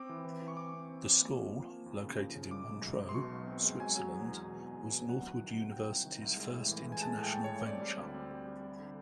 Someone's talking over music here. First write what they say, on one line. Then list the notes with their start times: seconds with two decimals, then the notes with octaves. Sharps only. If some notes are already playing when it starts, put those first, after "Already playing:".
The school, located in Montreux, Switzerland was Northwood University's first international venture.
Already playing: C4 D6
0.09 E3
0.25 E3
0.42 E3
0.48 C#6
0.57 C4 D6
0.74 C4
0.89 C4
1.05 C4
1.22 A#3
1.37 F3
1.54 F3
1.70 A#3
1.86 D#2
2.03 C#3
2.18 F3
2.35 C#3
2.51 G#3 D6
2.67 B1
2.83 B1
2.99 B1
3.09 C6
3.14 B2 C#6
3.31 B1
3.47 C4
3.63 G#3
3.80 F#3 G#5
3.95 F#3
4.12 E2
4.28 E2
4.44 B2
4.61 E2
4.76 E2
4.92 B2
5.08 F#3 F#5
5.25 C2
5.41 D#3
5.56 C3
5.72 C3 G5
5.89 C2
6.05 D#3
6.22 C2
6.37 G#3
6.53 A2
6.69 E3
6.86 G#3
6.92 G#5
7.01 G#3 A5
7.18 A2 G#5
7.23 G5
7.34 A2
7.44 C#5
7.49 A2
7.66 C4 D5
7.82 G3
7.98 D2
8.14 C4
8.31 G3
8.47 G3
8.63 G3
8.79 D3